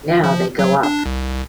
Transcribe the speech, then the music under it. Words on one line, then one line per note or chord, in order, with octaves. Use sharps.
Now they go up.
F3
F#3
D4
C2